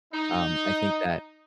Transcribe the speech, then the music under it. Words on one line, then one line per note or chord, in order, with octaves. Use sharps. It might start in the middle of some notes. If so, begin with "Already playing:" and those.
um, I think that
D#4